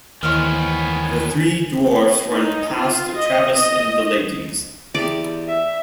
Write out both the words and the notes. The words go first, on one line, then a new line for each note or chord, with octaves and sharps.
The three dwarfs run past Travis and the ladies.
D#2 D#3 E3 B3 C5 C#5 F5 G#5
D#4
F4
D#5
D#5
E2 G4 D5
E5